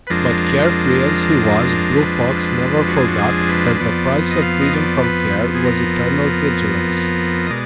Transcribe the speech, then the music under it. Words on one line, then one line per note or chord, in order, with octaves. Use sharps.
But care-free as he was, Blue Fox never forgot that the price of freedom from care was eternal vigilance.
B4
F2 F3 G#3 D4 A#4
B4
F#4
G#4
F#4
G#4
B4
B4
F2 F3 B3 D5
D#5
F5
D#5
D5
B4
G#4
A#4
D#5
B2 G#3 D5